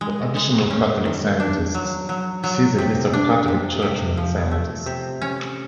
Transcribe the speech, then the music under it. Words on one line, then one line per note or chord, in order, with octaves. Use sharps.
For additional Catholic scientists, see the List of Catholic churchmen-scientists.
G#3
G#3
C#4
D#3
D4
F#3
F#3
F#3
C3
D4
C3
C3
F3
A3
C3
C#4